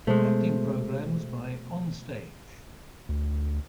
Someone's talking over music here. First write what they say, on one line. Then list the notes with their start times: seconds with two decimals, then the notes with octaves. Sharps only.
Acting programs by OnStage.
0.07 B2 G#3 A3 C5
3.09 D2